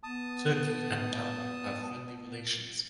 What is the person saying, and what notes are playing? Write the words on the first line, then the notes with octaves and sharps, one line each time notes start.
Turkey and Nauru have friendly relations.
B3 A5 D#6